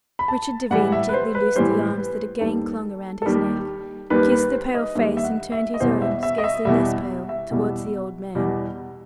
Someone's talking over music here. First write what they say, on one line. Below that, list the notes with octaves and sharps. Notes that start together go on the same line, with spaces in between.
Richard Devine gently loosed the arms that again clung around his neck, kissed the pale face, and turned his own--scarcely less pale--towards the old man.
B5
A5
A2 E3 G3 F#5
E5
B4
C5
B4
A2 E3 G3 C5
B4
D#2 D#3 G3 A4
A4
D#2 D#3 G3 G4
D#2 D#3 G3 B4
B4
C5
D#5
D#2 D#3 G3 E5
E5
F#5
E5
D#5
E2 B2 G3 C5
E5
E5
D#5
E5
E2 B2 G3 E5
E5
E2 B2 G3
E2 B2 G3